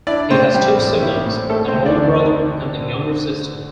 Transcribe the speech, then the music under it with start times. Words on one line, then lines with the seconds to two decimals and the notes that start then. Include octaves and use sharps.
He has two siblings, an older brother and a younger sister.
0.07 D4 E4 D5
0.31 A2 C4 C5
0.54 G3 G4
0.78 A1
1.02 E4
1.26 A2
1.50 A3 A4
1.68 C4 C5
1.74 D2
1.85 D4 D5
1.98 D3